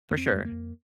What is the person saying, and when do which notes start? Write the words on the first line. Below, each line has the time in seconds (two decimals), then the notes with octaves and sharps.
For sure.
0.11 F2 A#3
0.17 C4
0.31 F2 G#3
0.45 A#3
0.51 F2